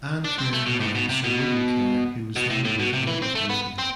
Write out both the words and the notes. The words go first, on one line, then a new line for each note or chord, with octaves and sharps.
Anne Kerr married Sir William Kerr who was then made Earl of Lothian.
D4
C4
A3
B2
A2
B2
C3
B2
B2
A2
A2
B2
C3
E3
C4
A3
B3
C4